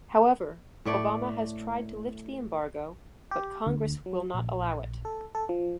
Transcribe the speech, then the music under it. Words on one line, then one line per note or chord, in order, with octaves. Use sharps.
However, Obama has tried to lift the embargo, but congress will not allow it.
A2 A3 D5
G4
D2
F#3
A#1
A4
A4
F3